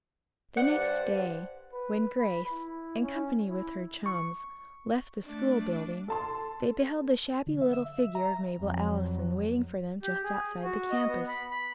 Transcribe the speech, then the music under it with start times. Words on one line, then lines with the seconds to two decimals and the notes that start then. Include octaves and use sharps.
The next day, when Grace, in company with her chums, left the school building, they beheld the shabby little figure of Mabel Allison waiting for them just outside the campus.
0.57 G2 C5 D5 F#5
1.73 B4
2.19 B5
2.52 E4
3.02 C#4
3.49 E4
4.06 C#6
5.25 A3 D4
6.08 A4 A5 C6
7.46 D3
7.61 E5
7.73 E6
7.85 E5
7.98 E5
8.15 A#5
8.59 F2 F#3
10.03 G4
10.24 G#4
10.63 F#4
10.91 D#5
11.07 B3
11.28 B5
11.51 B5